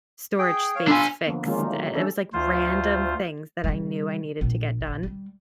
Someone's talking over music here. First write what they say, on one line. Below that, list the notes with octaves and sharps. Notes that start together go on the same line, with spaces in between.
storage space fixed," uh, it was, like, random things that I knew I needed to get done,
G#4 G5
C#5 F5
D4 F4 G#5 B5 E6
D3 F3 A#3 B3
D#3 G#3 A#3 C#4 F4
D#3 F#3 G3 A3 A#3 D#4
F#3
E3 C#4 D4 A4
D2 F4 C5
C#3 G3
A#1
A#1
G3